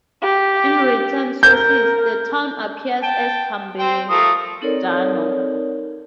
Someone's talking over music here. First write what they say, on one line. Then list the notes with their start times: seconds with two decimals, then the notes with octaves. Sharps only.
In written sources, the town appears as "Cambidano".
0.22 G4
1.43 A#4 G6
3.03 G5 A5
3.79 C4 C5 G5
4.09 F3 A3 A#4 D#6
4.61 C4 D#4 A4 A#4 C#5 D5